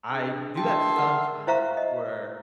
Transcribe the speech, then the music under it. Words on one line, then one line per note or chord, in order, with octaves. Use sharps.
I do that sometimes where
D4 G#4
E5 G5 A5 C6
A#4 F#5 F6
E4 C5 E5 F5 A#5 C#6
D#5